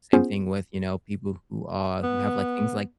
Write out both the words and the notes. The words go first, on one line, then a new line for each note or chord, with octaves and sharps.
Same thing with, you know, people who, uh who have like things like
B3 C#4 F4 G#4 C5
B3